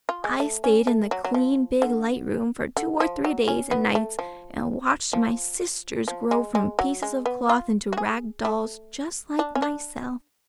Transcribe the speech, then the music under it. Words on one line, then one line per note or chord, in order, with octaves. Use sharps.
"I stayed in the clean big light room for two or three days and nights and watched my Sisters grow from pieces of cloth into rag dolls just like myself!"
F4
G#3
A3
C#4
A3
F#3
F#3
F3
D3
D3
F3
F#3
C#4
B3
A3
F3
F3
F3
G#3
G#3
F#3
G#3
B3
F4
F#4
G#4
A3
D4
C#4
D4